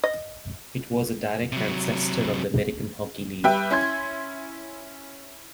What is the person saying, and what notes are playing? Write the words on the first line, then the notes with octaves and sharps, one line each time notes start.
It was a direct ancestor of the American Hockey League.
D#5
C3 F#3
G3 B4 E5 G5
C#4 E4 C6 G#6